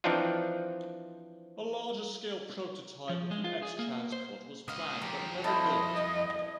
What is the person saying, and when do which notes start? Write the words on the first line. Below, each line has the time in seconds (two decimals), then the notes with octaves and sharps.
A larger scale prototype of the X transport was planned but never built.
0.04 E3 F3 C4 D4 D#4 F4
3.09 F3
3.31 G#3
3.44 F4
3.62 G#4
3.79 A#3
4.12 C5
4.68 C#2 D#5 F5 D#6
5.02 F3 G4 A#5
5.44 F2 G3 E4 A4 C5 D#5